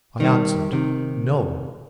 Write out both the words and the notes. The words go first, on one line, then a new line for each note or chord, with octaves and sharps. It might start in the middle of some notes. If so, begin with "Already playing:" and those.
I answered, No.
D#3 G3
C3 D#3